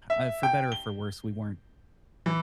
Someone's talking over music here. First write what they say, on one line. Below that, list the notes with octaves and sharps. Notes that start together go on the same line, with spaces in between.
uh, for better or for worse, we weren't,
E5
G5
G7
E3